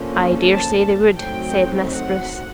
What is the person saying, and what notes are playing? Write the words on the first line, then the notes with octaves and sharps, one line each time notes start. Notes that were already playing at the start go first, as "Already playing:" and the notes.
"I dare say they would," said Miss Spruce.
Already playing: D3 F3 A#3 C#4
A5
F#3 A3 C4 D#4 G5
F#5